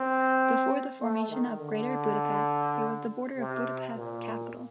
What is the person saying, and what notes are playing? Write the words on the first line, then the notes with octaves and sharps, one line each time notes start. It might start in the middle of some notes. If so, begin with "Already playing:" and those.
Before the formation of Greater Budapest it was the border of Budapest Capital.
Already playing: C4
A3
D#3
D3
C3
A#2